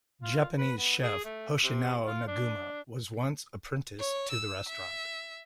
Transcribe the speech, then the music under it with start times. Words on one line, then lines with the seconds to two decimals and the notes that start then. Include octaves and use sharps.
Japanese chef Hoshinao Naguma was once apprenticed to the restaurant.
0.23 F4
0.58 B4
0.78 B3
1.03 G#4
1.25 A3
1.63 C3
2.07 F4
2.27 D4
3.98 C#5
4.31 E6
4.68 E5